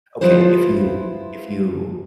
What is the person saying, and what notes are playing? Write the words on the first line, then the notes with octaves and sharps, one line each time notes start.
okay, if you if you
F3 E4 F4 B4 C5